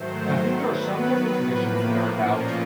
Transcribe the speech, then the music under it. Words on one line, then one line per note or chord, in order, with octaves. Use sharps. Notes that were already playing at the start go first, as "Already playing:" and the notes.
And I think there are some family traditions that are about
Already playing: G#2 D#3 F#3 A3 C5
D#3 F#3 B3 B4
A2 F3 A#3
A#2 F3 A#3 C#4 F4 D#5